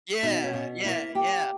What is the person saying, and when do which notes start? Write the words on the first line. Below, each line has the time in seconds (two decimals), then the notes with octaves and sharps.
Yeah. Yeah, yeah.
0.23 B2 D#4
0.44 C#4
0.53 B2
0.85 A#3 E4
1.15 A#3 G4